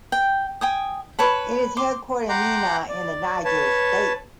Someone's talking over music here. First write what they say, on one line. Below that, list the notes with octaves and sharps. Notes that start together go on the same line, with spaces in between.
It is headquartered in Minna in the Niger State.
G5
G5 G#5 D#6
B4 C#5 A5 B5
C6 D6
F#5 G5 A#5 C6 D6
D5
B4 C#5 A5